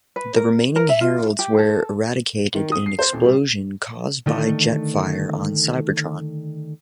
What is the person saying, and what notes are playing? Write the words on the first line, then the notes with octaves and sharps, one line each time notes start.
The remaining heralds were eradicated in an explosion caused by Jetfire on Cybertron.
B4
A#4
A#4
E5
F4
G4
A4
D#3
D#6
C7
C5
D#1
G3
D3 D#3 A3